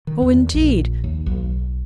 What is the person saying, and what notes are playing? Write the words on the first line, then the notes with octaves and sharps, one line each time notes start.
'Oh, indeed!
D#3
E2
A#1
D#2
B1